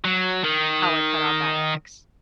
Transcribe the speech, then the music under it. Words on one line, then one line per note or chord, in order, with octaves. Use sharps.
how I cut out that ex.
F#3
D#3